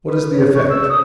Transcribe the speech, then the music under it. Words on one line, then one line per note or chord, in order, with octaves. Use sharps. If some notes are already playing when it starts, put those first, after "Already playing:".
What is the effect?
B4
C#5
C#6
E6
D#6